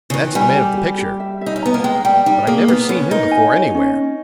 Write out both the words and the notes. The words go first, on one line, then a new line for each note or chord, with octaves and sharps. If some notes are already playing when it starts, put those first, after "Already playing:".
"That's the man of the picture; but I never seen him before, anywhere."
C#3
D#3 B4
G3 G#5
G4
G4
G4
E5
E5
D#4
C#4
B3 A#5
A#3
G#3 G5
G3 G5
G3 D#4
A#3 G#4
B3 A#5
C#4 B4
D#4 A#4
G#5
C#5
C#4
C#4